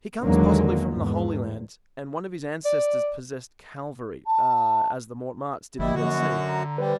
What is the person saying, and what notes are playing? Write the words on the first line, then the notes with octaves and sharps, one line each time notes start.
"He comes possibly from the Holy Land, and one of his ancestors possessed Calvary, as the Mortemarts did the Dead Sea."
E2 D3 D#3 F#3 G#3 A#3
E2 G#2
D5
A5
G1 F3 G3 A#3 E4 D#5
F#2 D3 F#4
A#5
G3 B4 C5 G5